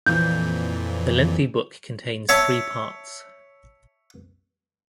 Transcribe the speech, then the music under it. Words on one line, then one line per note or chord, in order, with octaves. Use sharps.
The lengthy book contains three parts.
F2 A#2 E3 G6
C#5 E5 A5